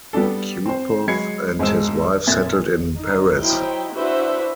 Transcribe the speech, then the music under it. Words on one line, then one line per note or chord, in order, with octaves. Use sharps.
Kutepov and his wife settled in Paris.
G3 B3 D4 A4
C4 C5
F#3 G#3 B5 G#6 C7 C#7
E1 G#2 G#3 C5 E6 E7
F1 A#2 E5 G#6 A6
D#4
F#3 D#4 E4 C5 G5
D4 E4 F#4 B4 C5 E5